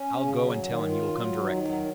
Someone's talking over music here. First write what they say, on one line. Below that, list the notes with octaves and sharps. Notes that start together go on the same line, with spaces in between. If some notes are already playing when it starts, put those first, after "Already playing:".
"I'll go and tell him you will come directly."
Already playing: C#4
C#3
F#3
D#3
F4
F#3
D#3
F#3